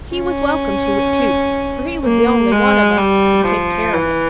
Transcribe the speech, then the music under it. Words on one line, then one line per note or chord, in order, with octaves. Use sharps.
He was welcome to it too, for he was the only one of us that could take care of it.
C#4
A#3
G#3
G3
F3
E3